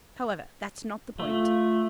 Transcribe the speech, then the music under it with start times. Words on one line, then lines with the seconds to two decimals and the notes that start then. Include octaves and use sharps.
However, that's not the point.
1.20 A3 F4